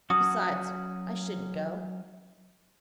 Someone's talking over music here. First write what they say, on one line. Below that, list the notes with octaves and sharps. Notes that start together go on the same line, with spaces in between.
Besides, I shouldn't go.
F#3 C#4 F#4 D#6